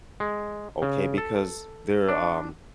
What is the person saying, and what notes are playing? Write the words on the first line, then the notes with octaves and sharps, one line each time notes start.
okay, because there, um,
G#3
C#3
A4
D4